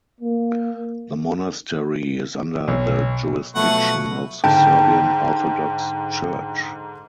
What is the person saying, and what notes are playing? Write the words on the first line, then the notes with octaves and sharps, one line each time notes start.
The monastery is under the jurisdiction of the Serbian Orthodox Church.
A#3
B1
B2 F3 F#3 A3 B4 F#5 C#6
G#2 D3 G5 A5